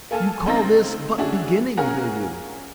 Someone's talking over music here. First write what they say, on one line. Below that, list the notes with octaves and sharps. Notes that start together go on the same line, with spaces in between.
You call this but beginning, do you?
A#3 A4 G#5 A5 F6
C#2 C#3 C4 D#4 A6 A#6
C#4 D4 E4 F#4 G#4
C#4 F4 G#4 A#4 F#5 A#5